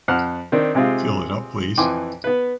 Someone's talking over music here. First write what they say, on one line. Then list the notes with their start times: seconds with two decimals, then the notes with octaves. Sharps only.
Fill it up, please.
0.08 F2 C5 F#5 F6
0.52 D#3 C4 D4
0.75 C3 G#3 C4 F4 G#4
1.78 F2 E3 G5 G#5 C6 D6
2.24 B3 B4